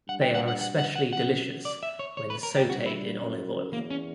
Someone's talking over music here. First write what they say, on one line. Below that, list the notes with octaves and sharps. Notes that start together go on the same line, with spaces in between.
They are especially delicious when sauteed in olive oil.
G2 F#5
G5
F#5
F#5
F#5
F#5
F#5
F#2 F#5
D5
E5
C#5
C#5
B4
A#4
G4
G2 F#4
E4
F#2
E2 A#3
C#4